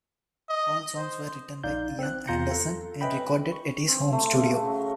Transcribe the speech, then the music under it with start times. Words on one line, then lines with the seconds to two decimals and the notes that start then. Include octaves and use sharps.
All songs were written by Ian Anderson and recorded at his home studio.
0.49 D#5
0.97 C5
1.64 A#1 D#4 D5 F5 G6
1.99 C4 F#6
2.27 E2 F4 A#5 G6 A#6 C#7
2.51 A4
3.01 C#4 B4 D#5 E5 G5 B5
3.52 C#6
3.88 C4
4.12 A3
4.32 C#3
4.65 F#3